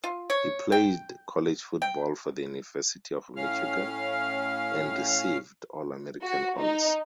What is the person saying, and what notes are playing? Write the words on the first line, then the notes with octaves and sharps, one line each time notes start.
He played college football for the University of Michigan, and received All-American honors.
F4
C#5
G5
G5
A2 C#4 F5 F6
F#4
D#4